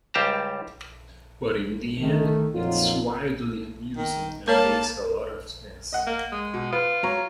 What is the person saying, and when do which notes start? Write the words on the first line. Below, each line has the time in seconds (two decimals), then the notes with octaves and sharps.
But in the end, it is wildly amusing and makes a lot of sense.
0.14 C#2 G3 G4 C5 A5 A#5
2.00 D#3 A3
2.54 F2 A#2 F#3 A#3 D#4 F4
3.97 D#3
4.48 A#3 A#4 C#5 A5
5.93 D#5 F#5
6.07 A#3
6.32 G#3
6.54 B2
6.72 F4 B4
7.03 F#3 C#5 A#5